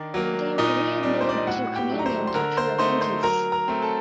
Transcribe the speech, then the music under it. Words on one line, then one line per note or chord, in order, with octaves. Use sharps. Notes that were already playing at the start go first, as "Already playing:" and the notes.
They were readmitted to communion after repentance.
Already playing: D#3 D4 D5
F#3 A#3
A#2 D#4 D#5
G3 D4
C5
D5
D#5
A2 F#4 F#5
G4 G5
F#3 A3 D4
A#5
C5 C6
C6
D3 A#4 A#5
C5 C6
A3 D#4 C5 C6
C5 C6
F#3 A#4 A#5
A#4 A#5
A3 C4
A4 A5